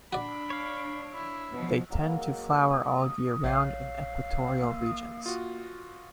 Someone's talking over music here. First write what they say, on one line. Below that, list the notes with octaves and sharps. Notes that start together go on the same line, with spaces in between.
They tend to flower all year round in equatorial regions.
D4 F#4 D5 B5
C#5 F5
E4
B2 F3
F#3 G#3 A#3
A#1 C#5 F5
A#3
F4 F#4